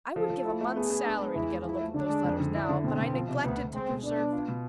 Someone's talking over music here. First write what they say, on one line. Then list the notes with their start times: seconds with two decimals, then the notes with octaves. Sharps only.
I would give a month's salary to get a look at those letters now; but I neglected to preserve them.
0.16 F3 A4
0.30 F3
0.45 E4
0.61 A3
0.75 B3 G#4
0.90 B3
1.05 D4
1.19 G#3
1.34 E2 E4
1.50 G#3
1.64 F3 E4
1.79 A3
1.94 D3 D4
2.09 G#3
2.24 F2
2.40 D3
2.55 D4 E4
2.69 D3
2.83 B2 C4
2.99 B2
3.14 F3
3.28 C3
3.43 D2 B3
3.58 D2
3.73 G#3 C4
3.89 B2
4.03 B3 D4
4.18 B3
4.33 F4
4.48 B2